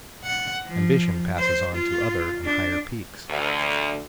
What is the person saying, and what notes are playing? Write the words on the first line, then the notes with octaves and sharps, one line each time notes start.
Ambition passes on to other and higher peaks.
F#5
F3
C5
F4
D4
D2